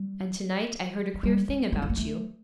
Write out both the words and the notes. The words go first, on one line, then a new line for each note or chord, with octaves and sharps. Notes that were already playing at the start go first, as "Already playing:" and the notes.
'And to-night I heard a queer thing about you.'
Already playing: G3
F#3
G3
G#3
G#3
B3
A#3
A3